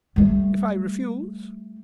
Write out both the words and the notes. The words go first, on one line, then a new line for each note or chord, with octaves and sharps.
"If I refuse?"
G3 A3